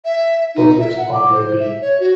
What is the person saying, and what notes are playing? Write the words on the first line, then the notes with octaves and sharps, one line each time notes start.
Butler's Andre B.
E5
D#4
E5
F#5
D6
C5
E5
C#5
F#4